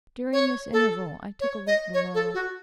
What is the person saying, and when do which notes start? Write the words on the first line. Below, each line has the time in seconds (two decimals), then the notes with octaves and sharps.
During this interval I took a look below.
0.33 C#5
0.73 A4
1.40 C#5
1.67 D#5
1.94 C#5
2.15 A4
2.34 F#4